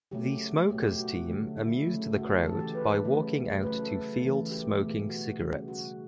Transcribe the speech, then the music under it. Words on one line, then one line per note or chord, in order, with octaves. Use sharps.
The Smokers team amused the crowd by walking out to field smoking cigarettes.
C#3 F#3 A3 G4
B2 F#3 A3 G4
G4
F#4
D3 F#3 A3
E4
C#3 F#3 A3
F#4
A4
C#3 E3 A3 A4
G4
B4
C#3 F#3 A3
C#3 F#3 A3 B4
A4
C#3 E3 A3
G4
B2 A3
F#4
C#3 G3
F#4